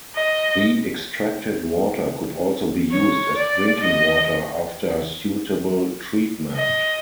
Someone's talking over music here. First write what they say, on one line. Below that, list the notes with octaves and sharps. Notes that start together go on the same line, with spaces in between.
The extracted water could also be used as drinking water after suitable treatment.
D#5
C#5
D5
D#5
D#5